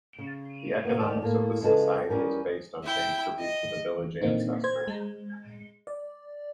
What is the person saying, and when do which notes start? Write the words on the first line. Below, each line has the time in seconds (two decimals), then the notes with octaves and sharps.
The economics of the society is based on paying tribute to the village ancestors.
0.19 C#3
0.85 C3 A#3 B3
0.99 D#2 G#2 D#3 D5 A5
1.22 A2 A#3
1.61 C#3 F3 G#3 A4 B4
2.09 E2 G3 C#4 A#4 G5
2.83 E4 G5
3.39 D#5
4.21 A#2 D3 E3 A#3 C4 D#4
4.64 C5 G#6
4.87 G#3
5.87 D5